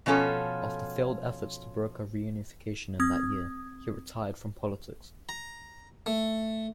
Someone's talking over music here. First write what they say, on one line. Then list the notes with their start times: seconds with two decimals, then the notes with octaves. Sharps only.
After failed efforts to broker reunification in that year, he retired from politics.
0.06 B2 F3 C#4 F4 A4
3.00 C4 D#6 G#6
5.29 A#5
6.06 A3